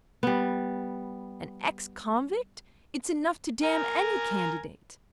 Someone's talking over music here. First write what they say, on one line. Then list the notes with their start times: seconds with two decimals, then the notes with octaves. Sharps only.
An ex-convict--it's enough to damn any candidate.
0.23 G3 B3
3.64 A#4 G#5 A#5